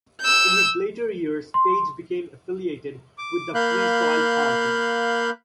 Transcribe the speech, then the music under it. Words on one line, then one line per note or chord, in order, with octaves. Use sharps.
In his later years Page became affiliated with the Free Soil Party.
E6 G6
C6
D6
A#3 F5 B5 F#6 G6